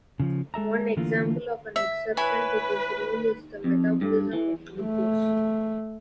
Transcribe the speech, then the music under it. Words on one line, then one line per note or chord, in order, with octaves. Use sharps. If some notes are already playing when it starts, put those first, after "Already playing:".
One example of an exception to this "rule" is the metabolism of glucose.
C#3 F3
G#3 A4 E5 A#5
D3 E3 A3 A#3 F4
E5
E4 B4 C#5 G#5
F2
G2
E3
A3